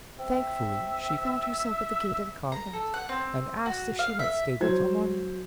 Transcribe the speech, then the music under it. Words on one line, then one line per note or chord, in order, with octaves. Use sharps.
Thankfully she found herself at the gate of a convent, and asked if she might stay there till morning.
C4 E5
A#5
A4
F#5
C4
F#4
F5
E5
F#3 C5 G#6